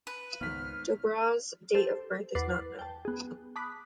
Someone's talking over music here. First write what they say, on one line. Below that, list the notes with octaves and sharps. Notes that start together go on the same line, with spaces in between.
Dobrawa's date of birth is not known.
B4
G#1 C#2 B3 F6 B6
G4 A4 C5
E2 B4 F#5 D6 A6 C7
G5 A5
B3 G#4
A5 B5 D6 D#6 F#6 B6